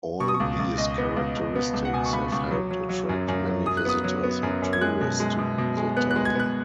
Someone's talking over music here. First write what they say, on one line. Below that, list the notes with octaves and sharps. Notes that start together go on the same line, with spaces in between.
All these characteristics have helped attract many visitors and tourists to the town.
B2 C#6
D#6
C#6
C#2
C#2
C#2 D#5
B3
C#2
C#2
B3
C#2
F#5
B2 G#5
C#6
C#2 B5
C#2 C#6
F#3
F#3
F#3
F#2
F#2
F#3
F#2 D#6
F#6
B3 D#6
F#3
B3
F#2
F#2
G#6
G#3 F#6
B2
G#3
B2
B2
G#3
B3 F#6
F#6
G#3
G#6
B3 F#6